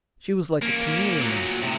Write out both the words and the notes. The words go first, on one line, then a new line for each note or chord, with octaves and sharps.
She was like a chameleon.
A#3 C#4
A#2 F#3
A2 C3